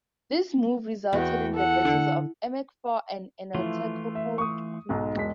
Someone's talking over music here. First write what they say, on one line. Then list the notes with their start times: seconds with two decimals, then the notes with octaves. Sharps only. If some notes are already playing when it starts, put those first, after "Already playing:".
This move resulted in the Battles of Emuckfaw and Enotachopo Creek.
1.13 E2 F#4 G5
1.54 A4 F#5
1.85 D3
3.54 E3 F3 A3 E4 F4
4.15 E5
4.38 C#6 D#6
4.89 B1 G#2 G#3
5.16 E1 G#3 B6